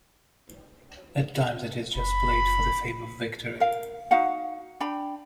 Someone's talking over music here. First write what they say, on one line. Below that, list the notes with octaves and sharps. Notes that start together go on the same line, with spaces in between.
At times it is just played for the fame of victory.
F#1 B5
A#4 F5
D#4 F#4 F5 F#5
D4 G5 B5